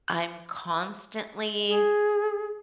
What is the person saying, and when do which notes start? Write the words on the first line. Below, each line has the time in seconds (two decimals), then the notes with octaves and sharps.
I'm constantly
1.68 G#4